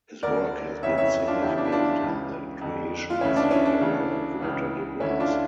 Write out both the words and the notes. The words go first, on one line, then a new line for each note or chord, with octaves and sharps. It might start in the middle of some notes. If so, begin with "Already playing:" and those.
His work has been significant in the creation of the area of Water diplomacy.
D2 D3 A#4 D5
F2 C#3 E3 C#5 E5
C#5 E5
D4 F4
E2 C#3 E3 E4 G4
D4
E4
D4 F4
C#2 C#3 E3
F2 D3
F4
D2 C#3 E3 C#4 E4
D4
C#4 E4
D4
D2 C#3 E3
C#2 C#3 E3
D2 D3 C#4 E4
D4 F4